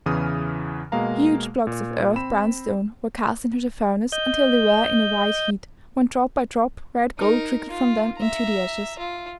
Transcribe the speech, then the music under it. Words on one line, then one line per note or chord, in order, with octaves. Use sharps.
Huge blocks of earth-brown stone were cast into the furnace until they were in a white heat, when drop by drop red gold trickled from them into the ashes.
E2 C#3 E3 D#6 F6
B2 G#3 A#3 F5 A#5
A#2
C4 B5 E7
D#5 G6
D#4 A#4
F4
E5 A#5
F4